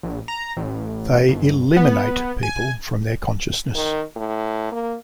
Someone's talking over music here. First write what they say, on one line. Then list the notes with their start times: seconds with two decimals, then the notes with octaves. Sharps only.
They "eliminate" people from their consciousness.
0.03 A#1
0.28 A#5
0.57 A1
1.29 G1
1.76 B3
2.43 G#5
3.75 D#3
4.16 A2
4.71 A#3